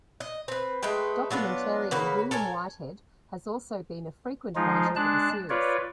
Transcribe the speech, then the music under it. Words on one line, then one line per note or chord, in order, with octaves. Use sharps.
Documentarian William Whitehead has also been a frequent writer for the series.
D#5
C4 B4
G#3 A3 B4 G5
F#3 B3 D4 F4
C#3 A#3 F#4 B4
A4 A#4 C#5 G#5
F3 G#3 D#4 F4
G#3 D4 A5 F#6
F4 B4 C#5 D5